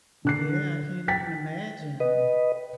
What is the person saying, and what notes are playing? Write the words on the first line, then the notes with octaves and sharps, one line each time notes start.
Yeah, I can't even imagine.
D3 F#6 C7
G5 A6 B6
B4 D#5